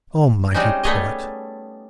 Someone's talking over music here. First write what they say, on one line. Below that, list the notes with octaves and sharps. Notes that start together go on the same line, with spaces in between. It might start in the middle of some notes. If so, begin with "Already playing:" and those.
O, mighty poet!
G3 G#3 C4 C#4 D#4
G3 A3 B3 G#4 C#5 D#5